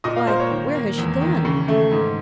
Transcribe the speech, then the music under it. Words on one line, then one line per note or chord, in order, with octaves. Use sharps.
"Why, where has she gone?"
A#2 D#5
F5
A#3 C5
C#5
D#3
A#3
E2
D#3
C#3
A3
G#2